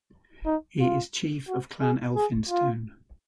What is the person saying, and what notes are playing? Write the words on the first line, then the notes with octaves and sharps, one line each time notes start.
He is Chief of Clan Elphinstone.
D#4
F4
F#4
G#4
G#4
F4